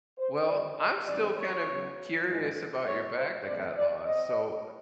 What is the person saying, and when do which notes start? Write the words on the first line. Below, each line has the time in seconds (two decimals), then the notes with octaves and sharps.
Well, I'm still kind of curious about your bag that got lost, so, eh
0.17 C5
0.47 F2 D3 G3 D5
0.77 D#5
1.06 G#2 E3 G3 C4 D5
1.36 C#5
1.66 E2 C#3 F#3
2.26 G2 E3 G#3
2.85 B2 G#3 B3 C#5
3.16 C5
3.45 A2 E3 A3 C4 D5
3.75 D5
4.05 C4 D#5